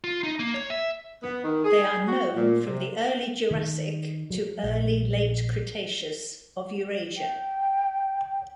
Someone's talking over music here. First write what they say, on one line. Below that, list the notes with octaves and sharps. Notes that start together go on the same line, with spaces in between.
They are known from the Early Jurassic to early Late Cretaceous of Eurasia.
F4
D#4
A#3
C#5
E5
B3
D#3
G#4
F#4
A#2
C3
D#3
F#3
A#1
G5